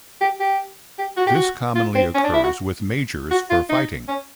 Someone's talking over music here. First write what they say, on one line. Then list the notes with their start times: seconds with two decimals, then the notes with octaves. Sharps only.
This commonly occurs with majors for fighting.
0.21 G4
0.40 G4
0.98 G4
1.17 F#4
1.27 G4
1.35 F#4
1.75 F4
1.95 C4
2.15 C#4
2.24 D4
2.34 E4
2.44 F#4
3.31 F#4
3.50 F4
3.69 D#4
4.08 C#4